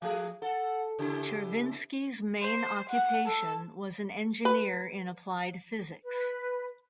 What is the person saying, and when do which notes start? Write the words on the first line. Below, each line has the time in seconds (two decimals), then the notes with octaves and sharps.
Chervinsky’s main occupation was an engineer in applied physics.
0.02 F3 A3 G#4 F5
0.42 A4 F#5
0.99 C#3 E4 G4
2.42 C5
2.90 F#5
3.26 A4
4.45 B4
6.04 B4